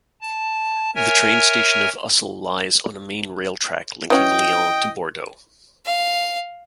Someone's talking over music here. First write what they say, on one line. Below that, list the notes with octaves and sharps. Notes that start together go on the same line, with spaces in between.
The train station of Ussel lies on a main railtrack linking Lyon to Bordeaux.
A5
A#4 C#5 E5 G#5
E3 C#4 F#4 D#5 G5
F5